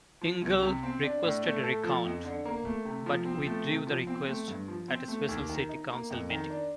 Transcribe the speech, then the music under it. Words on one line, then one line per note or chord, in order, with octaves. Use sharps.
Ingles requested a recount, but withdrew the request at a special city council meeting.
F3
C2
C3
C4
D4
A2
A3
A4
F3
F2
D3
A#3
A3
C3
F3
C4
A3
C3
F3
C4
A3
G2
F3
C4
A3
D#2
D#3
D#4
A#3
F2
D#3
D4